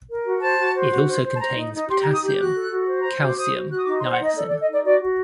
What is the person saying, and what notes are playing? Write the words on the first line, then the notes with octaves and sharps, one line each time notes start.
It also contains potassium, calcium, niacin.
A#4
F#4
C5 A5
F#4
C5
F#4
C5
C5
A5
C5 A#5
D#4
D#4
G4 C6
A#5
D#4
D#6
G4 G6
F#4 F#6
A4
F#4
C5
C5 A#5
C6
F#4 D6
C5 D#6
F#4
F#4 F#6
D#6
D#4 D6
C6
C5
F#5
D#4 D#5
A4 D5
D5
A4
D#5
D#4 D5
F#4 D5
F#4